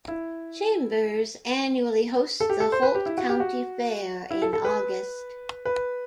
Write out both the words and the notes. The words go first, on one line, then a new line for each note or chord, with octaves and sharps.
Chambers annually hosts the Holt County Fair in August.
E4
A4
G4
A4
C5
B4
G4
E4
F#4
G4
F#4
E4
A4
A4
B4
B4